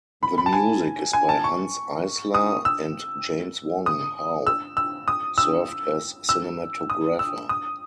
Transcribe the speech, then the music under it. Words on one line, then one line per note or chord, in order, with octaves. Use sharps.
The music is by Hanns Eisler and James Wong Howe served as cinematographer.
B5
B5
A5
G#5
G#5
A5
C#6
D#6
E6
D#6
E6
E6
D#6
E6
E6
D#6
E6
D#6